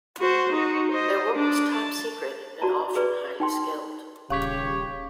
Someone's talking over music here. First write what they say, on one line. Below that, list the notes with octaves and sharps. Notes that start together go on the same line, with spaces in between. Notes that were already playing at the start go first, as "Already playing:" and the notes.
Their work was top secret and often highly skilled.
F#4 C5
D#4 F#4
C5 D#5
D4 A5
A5
F#4 C#5 D5 A5 A#5
G#4 B4 D5
D#4 G5 C6
D#1 C#3 G4 C#5 F5 C#6 B6